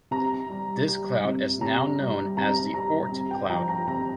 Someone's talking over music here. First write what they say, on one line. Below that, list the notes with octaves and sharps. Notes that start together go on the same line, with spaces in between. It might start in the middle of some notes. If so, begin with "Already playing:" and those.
This cloud is now known as the Oort Cloud.
C3 A#5
G3
G3
C3
C3 A#5
G3
C3 A#5
G3 A#5
C3
G5
F3 A#5
A#5
C3 A#5